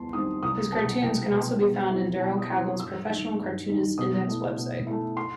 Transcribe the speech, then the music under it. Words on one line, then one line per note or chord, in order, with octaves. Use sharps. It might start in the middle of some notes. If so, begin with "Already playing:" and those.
His cartoons can also be found in Daryl Cagle's Professional Cartoonists Index website.
Already playing: E2 G3 A5 C6
D#3 G3 C4 D#6
C2 D#6
B2 F#3 B3 A5
C2 G5
B2 F#3 B3
B2
F#3 C4 E4
B2 A5
D#6
F#3 C4 E4 C6
G2 E6
D#3 G3 D#4
G2
D#3 G3 D#4
B2 D#6
A3 E4
B2
A3 E4
C6